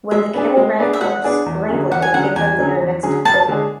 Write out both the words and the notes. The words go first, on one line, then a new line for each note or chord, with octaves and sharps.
When the camel ran a course, a wrangler would give them their next clue.
G#3 E5
B3 D4 G#4 D5
G#3
B3 D4 G#4 D5
E5
G#3 F#5
B3 D4 G#4 D5
E2
D3 F#3 C#4 G#4
E2 F#5
G#5
D3 F#3 C#4 G#4 F#5
E2 G#5
D3 F#3 C#4 G#4
E2
D3 F#3 C#4 G#4
F#2 A5
D3 G#3 D4 G#4